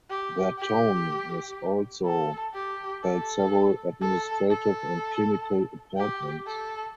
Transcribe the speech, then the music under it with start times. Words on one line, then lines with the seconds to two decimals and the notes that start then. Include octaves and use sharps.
Bertone has also held several administrative and clinical appointments.
0.10 G4
0.58 G4
2.06 A4
2.54 G4
3.03 A4
4.01 A4
4.50 A4
5.97 G4
6.46 A4